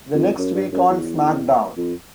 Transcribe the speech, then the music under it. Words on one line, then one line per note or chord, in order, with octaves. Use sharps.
The next week on SmackDown!
F2
F#2
G2
F#2
E2
F2